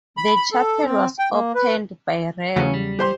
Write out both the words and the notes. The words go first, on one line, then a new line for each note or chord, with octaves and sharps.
The chapel was opened by Rev.
B5
B5
A4
C4
G5
A#3
B4
E2 C#3 F#3 A3 C#4
G3
G4 C5 C6